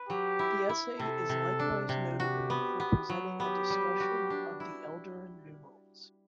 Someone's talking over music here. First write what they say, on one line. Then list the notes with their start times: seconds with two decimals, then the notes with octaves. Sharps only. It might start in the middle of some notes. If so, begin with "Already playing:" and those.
The essay is likewise notable for presenting a discussion of the Eldarin numerals.
Already playing: B4
0.09 F#3 G4
0.39 E4
0.69 E4
0.99 C3 A4
1.29 C3
1.59 D4
1.89 C3
2.20 F#4 G4
2.50 B3
2.80 B3
3.09 F#3
3.39 B3 G4
3.70 G3
4.00 F#4
4.30 D4
4.60 E4